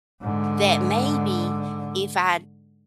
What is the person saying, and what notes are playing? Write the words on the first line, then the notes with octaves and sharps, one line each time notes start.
that maybe if I
G#2 D3